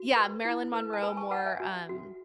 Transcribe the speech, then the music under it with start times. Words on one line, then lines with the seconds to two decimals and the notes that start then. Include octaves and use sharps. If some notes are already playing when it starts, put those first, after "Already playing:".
yeah, Marilyn Monroe more, um,
Already playing: F#4
0.16 B4
0.45 E4
0.74 B4
0.93 A5
1.02 B4 G#5 B5
1.17 A5 C#6
1.31 B4 F#5 A5
1.46 E5 G#5
1.60 F#4
1.89 F#4